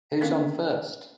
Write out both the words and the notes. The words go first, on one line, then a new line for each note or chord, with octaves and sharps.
Who's on First?
A#3 B3 C#4 D4 A#4 F5